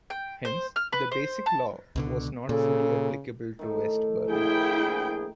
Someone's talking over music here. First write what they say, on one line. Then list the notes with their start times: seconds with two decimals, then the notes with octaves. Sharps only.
Hence, the Basic Law was not fully applicable to West Berlin.
0.10 G5
0.45 C5
0.76 F6
0.92 B4
1.12 C5
1.46 A5
1.96 C#2 B2 D3
2.49 A#2 C#3 A4
3.59 A2 D#3
4.29 A#1 E4 G#4 G5